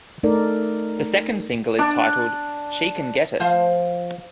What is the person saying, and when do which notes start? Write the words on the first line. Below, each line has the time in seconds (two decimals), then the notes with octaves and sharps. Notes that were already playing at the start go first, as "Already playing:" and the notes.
The second single is titled "She Can Get It".
0.23 A3 D#4 A4 A#4 D5
1.79 D4
3.40 F3 C5 F5